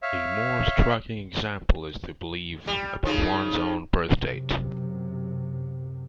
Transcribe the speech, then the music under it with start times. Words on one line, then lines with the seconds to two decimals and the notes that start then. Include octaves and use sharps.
A more striking example is the belief about one's own birthdate.
0.02 C#5 E5 F5
2.67 G3
3.05 C#3 F3 D#4
4.12 F#2 C3